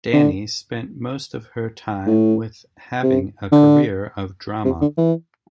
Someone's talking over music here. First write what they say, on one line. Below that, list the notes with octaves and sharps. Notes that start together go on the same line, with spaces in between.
Dani spent most of her time with having a career of drama.
D3
A2
C3
D3
C3
D3
E3